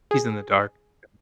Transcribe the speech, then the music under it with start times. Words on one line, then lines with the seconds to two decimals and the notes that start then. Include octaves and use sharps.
He's in the dark, yeah.
0.11 G#4